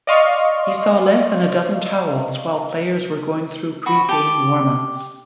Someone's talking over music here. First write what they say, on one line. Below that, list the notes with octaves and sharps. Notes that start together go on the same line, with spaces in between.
He saw less than a dozen towels while players were going through pre-game warm-ups.
D5 D#5 F5 C6 C#6
F#4 B5 C#6
G4 A5